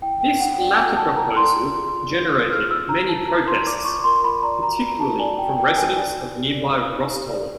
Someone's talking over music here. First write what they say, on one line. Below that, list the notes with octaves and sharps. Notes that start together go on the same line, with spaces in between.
This latter proposal generated many protests, particularly from residents of nearby Rhostyllen.
E4 G5
A4 G5
E4 F#5
D5 G5
E4 G#5
A4 A5
E4 A#5
D5 C6
F4
G#4
F4
C#5
F4 E6
G#4 F6
F4 E6
C#5 A#5
F4 A5
A#4 A#5
F4 C6
D5 D6
F4 C#6
A#4 C6
F4 B5
D5 A#5
F#4 A#5
B4
F#4 A5
D5 G#5
F#4 G5
G#5
B4 G5
F#4 G#5
D5 G#5
D#4
G4
D5
B4
D#4
G4
D5